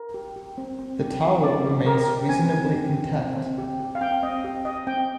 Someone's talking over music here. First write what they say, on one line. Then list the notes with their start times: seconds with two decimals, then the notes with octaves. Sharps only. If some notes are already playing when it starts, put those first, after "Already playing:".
The tower remains reasonably intact.
Already playing: A#4
0.14 G4
0.36 G4
0.58 C4
0.79 C4
1.00 G4
1.22 G4
1.43 C4 D5
1.64 C4
1.86 G4 A#4
2.08 G4
2.29 C4 G#5
2.50 C4
2.73 G4
2.93 G4
3.15 C4
3.37 C4
3.58 G4
3.80 G4
3.95 F5
4.01 C4 G5
4.23 C4 D#5
4.44 G4
4.65 G4 D#5
4.87 C4 G5